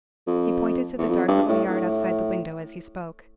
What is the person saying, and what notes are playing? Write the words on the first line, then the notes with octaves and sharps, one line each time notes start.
He pointed to the dark little yard outside the window as he spoke.
F2
E2
F2
G2
A2
A2